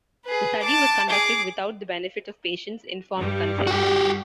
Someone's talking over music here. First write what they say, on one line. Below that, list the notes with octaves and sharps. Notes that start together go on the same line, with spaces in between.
The study was conducted without the benefit of patients' informed consent.
G#4 B4
A5 D6
G#4 D6
G2 G3
F#4 G4